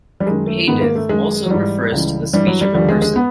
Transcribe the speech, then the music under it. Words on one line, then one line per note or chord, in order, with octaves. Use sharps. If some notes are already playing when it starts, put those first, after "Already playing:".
"Hadith" also refers to the speech of a person.
G3
F#2 D#3 G#3
A3
G#2 D#3 B3
A#3
A3
F#2 D#3 G#3
F#3
G#2 E3 G3
C#2 C#3 E3
G2 E3 G3
F#3
G3
D#2 D3 F3 G3
G#3
G#3
B3